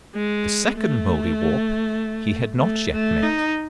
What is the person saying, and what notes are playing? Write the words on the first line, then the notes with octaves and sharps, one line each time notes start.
The second Mouldiwarp he had not yet met.
G#3
A3
A3
A3
D#4